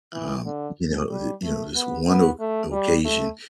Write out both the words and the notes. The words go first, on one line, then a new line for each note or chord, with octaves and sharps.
um, you know, eh, you know, this one o occasion,
E3
D3
G3
A3
B3
B3
A3
G3
A3